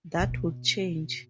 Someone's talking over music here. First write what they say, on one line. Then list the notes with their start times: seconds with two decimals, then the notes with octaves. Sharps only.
That would change.
0.20 B2